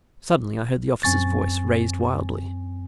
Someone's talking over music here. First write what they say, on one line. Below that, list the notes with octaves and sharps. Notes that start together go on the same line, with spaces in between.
Suddenly I heard the officer's voice raised wildly.
F#2 C4 G#5 C#6 A6